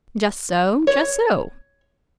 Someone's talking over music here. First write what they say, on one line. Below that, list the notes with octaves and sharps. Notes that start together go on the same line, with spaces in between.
'Just so, just so.
C#5